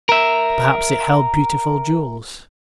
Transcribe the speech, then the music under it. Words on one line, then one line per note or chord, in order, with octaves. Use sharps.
Perhaps it held beautiful jewels.
A#4 E5